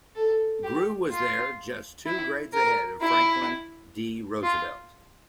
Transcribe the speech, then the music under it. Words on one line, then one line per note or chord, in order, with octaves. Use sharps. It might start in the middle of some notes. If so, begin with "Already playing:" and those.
Grew was there just two grades ahead of Franklin D. Roosevelt.
A4
G4
F4
E4
A#4
E4
F4